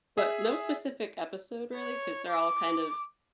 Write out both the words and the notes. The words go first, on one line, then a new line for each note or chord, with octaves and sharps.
But no specific episode really, 'cause they're all kind of
G#4 E5
C#5
D6